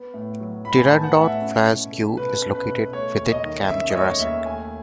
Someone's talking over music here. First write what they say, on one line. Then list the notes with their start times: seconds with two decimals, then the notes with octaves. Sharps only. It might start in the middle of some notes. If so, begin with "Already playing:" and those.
Pteranodon Flyers' queue is located within Camp Jurassic.
Already playing: B3
0.14 A2
0.40 F#3
0.65 A2 B5
0.78 G#5
0.84 A5
0.90 B3
1.04 F#5
1.14 A2 F#5
1.22 E5
1.41 C#4
1.66 B2
1.92 A3
2.17 B2 B4
2.42 C#4
2.55 B4
2.68 B2
2.93 A3 C#5
3.18 D#2
3.32 D#5
3.43 D#3
3.69 C#4 E5
3.90 D#5
3.94 A3 C#5
4.20 D#2 E5
4.45 A3 G#5